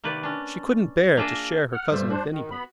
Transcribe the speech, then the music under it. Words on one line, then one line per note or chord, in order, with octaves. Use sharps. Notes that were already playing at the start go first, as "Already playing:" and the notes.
She couldn't bear to share her cousin with anybody.
C3 D#3 A#3 B4 D5
C#4 D4
A#3 D4 F4 G#4 A#4 E5
F#5 F6
G2 A3 C5
D4 F#4 C5
D#3
B3 B5